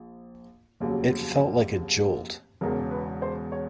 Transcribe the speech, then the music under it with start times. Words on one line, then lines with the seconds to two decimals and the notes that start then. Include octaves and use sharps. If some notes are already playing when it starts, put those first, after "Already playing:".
It felt like a jolt.
Already playing: A#1
0.80 F1 D#2 C#3 F#3
2.61 E1 E2 C#3 A#4
2.91 B4
3.22 C5
3.52 C#5